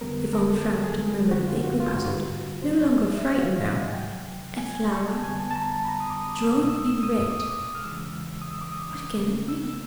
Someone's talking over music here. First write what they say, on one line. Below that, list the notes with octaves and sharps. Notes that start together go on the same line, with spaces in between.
Yvonne frowned and murmured, vaguely puzzled--no longer frightened now: "A flower ... drawn in red ... what can it mean?"
F2 D3 G3 B3 A#4
A#4
A4
G#4
G4
G#4
F#2 D3 G3 C4 F#4
F4
G4
F#4
F4
F#4
A2 F#3 B3 C5
C#5
D5
E5
E5
F#5
F5
F5
F#5
G#5
C#2 C3 D#3 F#3 G5
G#5
G#5
G#5
C#6
G#5
A5
F2 D3 G3 B3 G#5
A5
A5
A#5
B5
A#5
D#6
D6
D#6
C2 B2 G#3 E6
D#6
E6
E6
D#6
D#6
D6
D#6
F6
E2 C#3 E3 G#3 E6
D#6
E6
D6
D#6
C#2 C#3 F3 A3 C#4
E6
E6